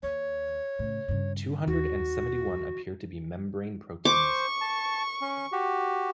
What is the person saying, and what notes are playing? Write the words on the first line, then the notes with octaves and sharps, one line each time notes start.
Two-hundred and seventy one appear to be membrane proteins.
D#2 C#5
A2 C#3
G2 C#3
D#2 F#4
C5 C#6 D6
A5
C#4
F#4 G4